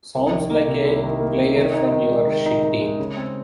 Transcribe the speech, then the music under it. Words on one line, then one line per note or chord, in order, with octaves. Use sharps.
Sounds like a player from your shit team.
C2
D#3
A#3
C3
C2
D#3
A#3
C3
D#3
D#4
D#3
G#3
D#3
D#4
D#3
G#3
C#3
C4